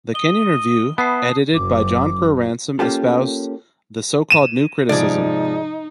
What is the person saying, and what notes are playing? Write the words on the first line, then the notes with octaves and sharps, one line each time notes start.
"The Kenyon Review", edited by John Crowe Ransom, espoused the so-called New Criticism.
D#5 G7
B3 E4 A5 D#6 C7
F#1 F#2 D6
A#3 C#4 F4 G4 A4
D#7 E7
G#2 C3 F3 D#4 G#4 D5